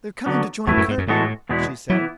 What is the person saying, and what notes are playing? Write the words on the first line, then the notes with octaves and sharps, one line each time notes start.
"They're coming to join Kirby," she said.
D3 F#3 B3
E2 A2 F#3 A3 E4 B4
F#2
G#2
F#2
A2 E3 G#3 B3 F#4 A4
E2 B2 G#3 B3 E4
E3 F#3 B3 E4